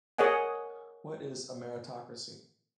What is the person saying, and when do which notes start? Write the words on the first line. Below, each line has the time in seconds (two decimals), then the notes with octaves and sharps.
What is a meritocracy?
0.18 G#4 A#4 C#5 D#5 F#5 G#5